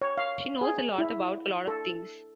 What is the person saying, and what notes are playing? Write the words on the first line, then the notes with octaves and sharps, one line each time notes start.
She knows a lot about a lot of things.
C#5
F5
G#4
E4
A4